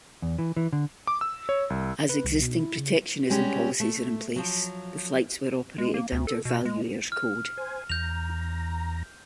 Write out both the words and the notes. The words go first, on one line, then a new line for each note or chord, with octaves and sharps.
As existing protectionism policies are in place, the flights were operated under Valuair's code.
E2
E3
E3
D3
D6
E6
C#5
C2
B4
C2
B2
E4
C#3
G3 G#3 C#4 F#4 G4
A3
F3 F#3
G#3
A#3
D2
A4
B2
G#3
F6
C5 G#5
E2 A#5 G6 F7